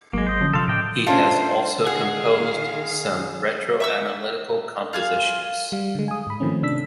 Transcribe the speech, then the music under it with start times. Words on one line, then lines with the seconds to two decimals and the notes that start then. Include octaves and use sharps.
He has also composed some retroanalytical compositions.
0.13 G#1 F#3 G#3 A#3
0.27 C5 D#5
0.41 D3 F3 C#4
0.53 C3 F3 A4 F5 C6
0.68 A2 D5 D#5 G5
1.07 C#4 D4 F4 A4 A#4 C5 E5
1.87 D#3 G#4 F5 F#5
3.80 E5 C#6 E6
4.93 F4 G#4 F5
5.72 G3 F5
5.95 D3 G#3
6.08 G#5 D#6
6.27 G#2 B5
6.40 D#3 F3 A3 C4 C#4
6.63 C3 D4 E6 B6